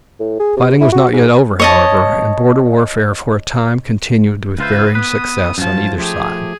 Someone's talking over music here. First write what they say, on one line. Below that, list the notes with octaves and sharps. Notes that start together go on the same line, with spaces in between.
Fighting was not yet over, however, and border warfare for a time continued with varying success on either side.
A2
G#4
C3
E4
F#4
G#2
C#5 D#5 A5
C#2 F4 B4 C5 E5
B3 B4 D#6
F#2 F3 C#4 A5
F3 A3 G4 G#4